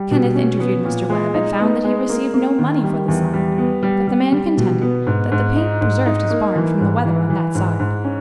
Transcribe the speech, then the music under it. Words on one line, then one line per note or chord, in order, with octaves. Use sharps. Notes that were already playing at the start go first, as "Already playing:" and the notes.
Kenneth interviewed Mr. Webb and found that he received no money for the sign; but the man contended that the paint preserved his barn from the weather on that side.
Already playing: G3
B2
C#4
B3
A#2
G#3
D#4
B3
G#3
A#3
A#3
D#3
G3
E2
G3
B3
G3
G3
G3
B2
B3
G#2
G#2
D#4
G#2
D#4
A#3
E3
G#2
E3
E3
G#2
G#2
C#4